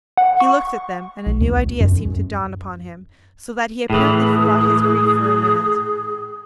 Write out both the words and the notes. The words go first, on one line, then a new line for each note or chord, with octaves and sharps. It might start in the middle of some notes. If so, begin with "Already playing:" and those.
He looked at them and a new idea seemed to dawn upon him, so that he apparently forgot his grief for a minute.
F#5
C#6
B1
D2
F#2
A2 E3 G#4